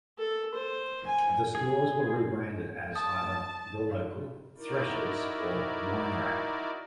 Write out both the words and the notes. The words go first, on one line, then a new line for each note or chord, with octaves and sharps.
The stores were rebranded as either 'The Local', 'Thresher's' or 'Wine Rack'.
A4
C5
G#5
G#4
A5 D#6
D#4 E4 F#4 A#4 D5